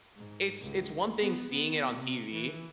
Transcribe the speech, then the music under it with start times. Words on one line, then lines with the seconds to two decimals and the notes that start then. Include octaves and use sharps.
it's it's one thing seeing it on TV
0.16 G#2
0.61 C#2
1.21 B3
1.51 B3
1.91 C3
2.33 E3